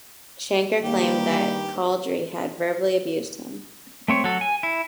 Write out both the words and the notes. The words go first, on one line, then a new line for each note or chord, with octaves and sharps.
Shankar claimed that Chaudhry had verbally abused him.
G2 D#3 G3 A#3 G4
A3 C4 C#5
F#3 A4
G#5
E4